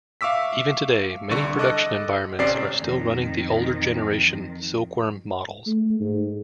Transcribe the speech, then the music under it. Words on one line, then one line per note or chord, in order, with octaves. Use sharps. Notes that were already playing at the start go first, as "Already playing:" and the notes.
Even today, many production environments are still running the older generation Silkworm models.
E5 F5 C#6 D6 E6 B6
C2 D3 C#6
A4 D#5 D6 F#6
G#1 C3 C#4 D5 C7
F2 D#3
A3
G#2